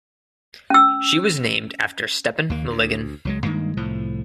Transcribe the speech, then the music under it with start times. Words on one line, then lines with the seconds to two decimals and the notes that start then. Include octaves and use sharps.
She was named after Stepan Malygin.
0.70 C#4 E6
2.50 D#2 A#3
2.70 D2
3.25 C#2 F#3 G#3
3.43 G2 D#3 G#3 A#3
3.77 C2 A2 F3